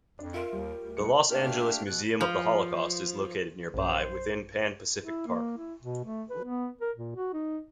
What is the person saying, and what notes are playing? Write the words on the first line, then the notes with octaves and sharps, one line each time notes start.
The Los Angeles Museum of the Holocaust is located nearby, within Pan Pacific Park.
F2 D4
F4 A#4 E5 C6
D#2 G3
D2
C2 G#3 C#7
A3 A#3 D4 G4 F6
B2 F#6
F3
A#1 F#2 C5
E4
A#3
E4
B2
A3
B4
B3
A#4
A#2
F#4
D#4